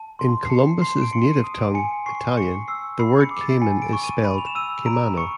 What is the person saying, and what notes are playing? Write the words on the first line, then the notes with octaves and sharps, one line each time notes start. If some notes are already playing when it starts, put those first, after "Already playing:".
In Columbus' native tongue, Italian, the word cayman is spelled caimano.
Already playing: A5
C6
C7
A5 C#7
C6 C7
D7
C6 C#7
D#7
D#6
D7
G#5 C#7
C#6 C7
C#6 C#7
E6 C7
B5 C7
C#7
D6
A6
G#5 C#7
D7
C#6
D#7
B5 D#7
F7
E7
E6 D#7
A#5 D7
C#6 C#7